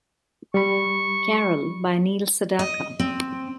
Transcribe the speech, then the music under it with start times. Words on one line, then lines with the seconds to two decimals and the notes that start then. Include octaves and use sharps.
Carol by Neil Sedaka.
0.54 G3 B5 C#6
2.59 D#5
3.00 C4